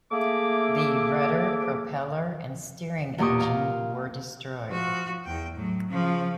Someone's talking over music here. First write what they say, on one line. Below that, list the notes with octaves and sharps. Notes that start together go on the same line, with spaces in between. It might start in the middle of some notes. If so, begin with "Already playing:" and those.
The rudder, propeller and steering engine were destroyed.
A3 A#3 G#4 E5 D6
E2 A#2 A#3 G4 C#6 D#6
F5
F3 F#4
E2 G5
A2 F#3
C#3 F3